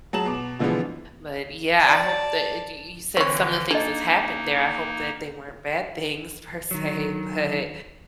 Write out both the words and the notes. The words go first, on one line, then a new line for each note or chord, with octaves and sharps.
but, yeah, I hope that d y you said some of the things that's happened there, I hope that they weren't bad things per se, but
F#3 G#4 A5 E7 F#7
B2 D6
B2 D3 E3 F3 G#3 B3
D5 A5
D3 E3 C4 C#5
A#3 D4 D#4 A4 D#5
D#3 F#3